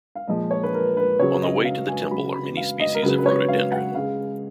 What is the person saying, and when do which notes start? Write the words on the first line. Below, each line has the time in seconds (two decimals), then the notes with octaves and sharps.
On the way to the temple are many species of rhododendron.
0.15 F5
0.28 A#2 F3 G#3 D#5
0.51 C#5
0.63 B4
0.74 A#4
0.97 B4
1.19 C#3 F#3 C#5
1.42 D#5
1.65 F5
1.88 G#5
2.11 C#3 F#3 B5
2.34 B5
2.57 F5
2.80 D#5
2.95 A#4
3.03 C#3 F#3 B4
3.18 B4
3.26 C#5
3.48 F5
3.72 F#5
3.94 C#3 G#3 F5